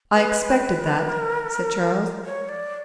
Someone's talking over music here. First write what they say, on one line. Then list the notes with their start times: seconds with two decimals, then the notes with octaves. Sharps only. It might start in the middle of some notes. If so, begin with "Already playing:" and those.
"I expected that," said Charles.
0.15 B4
1.09 A#4
2.25 C#5
2.49 D5